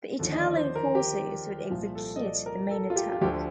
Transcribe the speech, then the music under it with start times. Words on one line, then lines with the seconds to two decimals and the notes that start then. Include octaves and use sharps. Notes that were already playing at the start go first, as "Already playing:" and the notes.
The Italian forces would execute the main attack.
0.19 D#2 D3 F3 A4
0.32 D#5
0.38 D5
0.56 C5
0.76 A#4
0.95 G4
1.70 C2 A#2 F3 F4
1.95 A4
2.16 D#5
2.21 D5
2.46 A#4
2.71 A4
2.90 F4
2.96 G4
3.13 F4
3.21 D2 D3 F3 G4